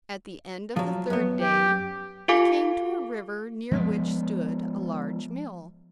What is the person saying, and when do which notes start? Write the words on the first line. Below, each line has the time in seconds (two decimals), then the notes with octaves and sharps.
At the end of the third day he came to a river near which stood a large mill.
0.76 F3 F#3
1.10 F#2 B3
1.42 G4
2.28 F4 G4 A4 F5 G#5 D6
3.71 F3 G#3 A#3 B3